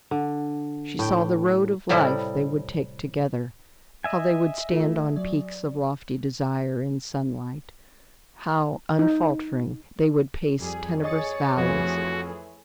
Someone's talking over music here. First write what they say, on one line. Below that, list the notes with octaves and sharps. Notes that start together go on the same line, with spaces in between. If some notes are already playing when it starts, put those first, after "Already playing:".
She saw the road of life they would take together; how they would stand on peaks of lofty desire, in sunlight; how, unfaltering, they would pace tenebrous valleys.
D3
A2 G5
A2 C3 G3 E4 D#5
D#5 E5 G#5
A3 F4 A4
F#3 D5
D#4
F2 G3 G#4
G#4 C#5 D#5 D#6 A6 C#7
F2 E3 F3 A3 F#4 G#4